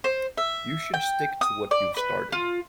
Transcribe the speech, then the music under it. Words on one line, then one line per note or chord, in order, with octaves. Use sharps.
You should stick to what you’ve started.
C5
E5
G5
D#6
D5
B4
F4